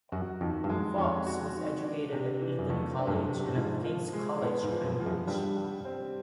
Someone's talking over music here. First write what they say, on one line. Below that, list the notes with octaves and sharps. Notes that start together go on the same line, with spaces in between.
Foxe was educated at Eton College and at King's College, Cambridge.
F#2 F#4
F2 D#3
G2
F#2 G#3
F2 C#4
F#4
D#3
D4
C3
E3
F#2
F2 A3
D4
G2
F#2
C3
A2
G#2 F3
F3
G#3
A2 B3
G#2
F3
F#2
F3
F#2
G2 G3
G3
C4